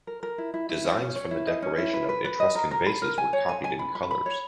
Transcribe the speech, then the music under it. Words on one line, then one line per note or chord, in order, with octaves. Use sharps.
Designs from the decoration of Etruscan vases were copied in colors.
A#4
A#4
E4
E4
E4
C#4
C#4
C#5
E4
D#5
C#4
E4
B4
B4
B4
D#5
A#4
A#4
B5
A#4
G#5
C#5
G#5
G#5
B5
B5
B5
C#5